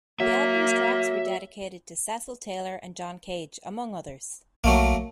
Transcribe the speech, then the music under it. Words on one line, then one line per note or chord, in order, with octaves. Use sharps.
The album's tracks were dedicated to Cecil Taylor and John Cage, among others.
F#3 A#3 E5
B1 F#3 A3 A#3